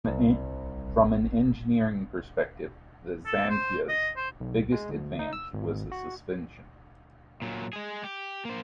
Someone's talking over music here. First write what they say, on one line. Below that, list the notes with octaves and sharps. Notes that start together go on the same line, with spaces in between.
From an engineering perspective, the Xantia's biggest advance was the suspension.
C2
A4
C5
D#5
C5
B1
G#3
D2
D#4
E6
G#1
F#4
A#2 F#3
G#3 G#4
G4
A#3 C5